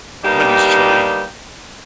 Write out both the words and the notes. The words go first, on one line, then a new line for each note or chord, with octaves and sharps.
Wendy's chili,
G3 A#3 B3 D4 D#4 G4